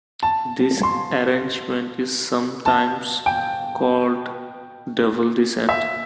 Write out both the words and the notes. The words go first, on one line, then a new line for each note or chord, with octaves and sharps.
This arrangement is sometimes called double descent.
A5
C6
A5
G5
E5